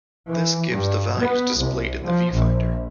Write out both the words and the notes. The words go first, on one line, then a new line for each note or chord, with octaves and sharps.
This gives the values displayed in the viewfinder.
E3
G2
B3
C2
F3
A#1